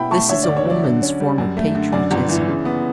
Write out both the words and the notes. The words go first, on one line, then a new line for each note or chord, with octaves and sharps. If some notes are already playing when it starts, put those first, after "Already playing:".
This is a woman's form of patriotism.
Already playing: B2 E4 G5 B5
A3 A5 C#6
D3 C#5 E5
D2 D5
C#5
F#3 D5
D3
C#4
G3
F#2
A3
D3
F#2 D5
G1
E3
C#3
B3